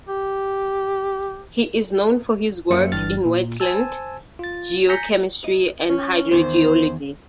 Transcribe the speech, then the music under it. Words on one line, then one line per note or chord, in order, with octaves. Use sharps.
He is known for his work in wetland geochemistry and hydrogeology.
G4
F#2 F#3 A#3 C5 E5 C#7
G1 G2 E3 F6 A6
A#2
C5 G#5 A5 E6
F4 A6
G#5 A#5 G6 A#6 B6 C#7
D#5
C#4
E2 D#3 C5